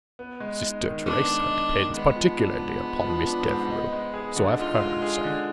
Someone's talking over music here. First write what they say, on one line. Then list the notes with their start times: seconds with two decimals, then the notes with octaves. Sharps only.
Sister Theresa depends particularly upon Miss Devereux,—so I’ve heard, sir.
0.19 B3
0.40 G#3
0.63 D#4
0.85 D#3
1.06 B3 D4
1.28 G#3
1.51 D#4
1.73 D#3
1.94 G#3 B3
2.16 F3
2.39 D4
2.60 G#2
2.83 G#3
3.04 F3
3.27 D4
3.48 G#2
3.70 D#4
3.92 G#3
4.14 G#4
4.36 D3
4.58 D#4 F4
4.80 G#3
5.02 G#4
5.24 D3